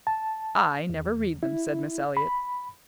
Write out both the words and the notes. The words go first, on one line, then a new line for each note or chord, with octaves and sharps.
"I never read them," said Miss Eliot.
A5
E2
E4
B5